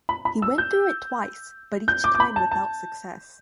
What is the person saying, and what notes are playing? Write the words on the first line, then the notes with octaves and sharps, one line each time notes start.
He went through it twice, but each time without success.
B5
B5
E6
G6
G6
D6
D6
B5
A5
A5